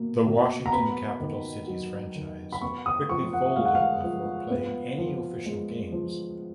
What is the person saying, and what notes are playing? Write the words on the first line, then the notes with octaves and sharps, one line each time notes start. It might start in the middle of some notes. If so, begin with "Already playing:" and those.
The Washington Capital Citys franchise quickly folded before playing any official games.
Already playing: B2 A#3
B2
A#5
B3 B5
D#3
F#3
D#3
B5
B3 C#6
D#6
F3 C#6
F#5
G#3 F5
F#5
F5
F3
B3
F3
G#3
F3